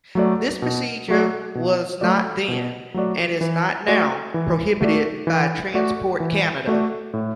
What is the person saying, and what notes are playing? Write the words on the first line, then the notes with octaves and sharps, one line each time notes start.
This procedure was not then, and is not now, prohibited by Transport Canada.
F#3 A3 F#4 D5
B2
F#3 A3 F#4 D5
B2
F#3 A3 F#4 D5
B2
F#3 A3 F#4 D5
E3
A3 F#4 D5
E3
A3 F#4 D5
E3
A3 F#4 D5
E3
A3 F#4 D5
A2